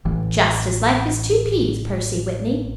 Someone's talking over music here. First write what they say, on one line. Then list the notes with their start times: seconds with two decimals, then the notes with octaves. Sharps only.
"Just as like as two peas, Percy Whitney."
0.05 A1 E3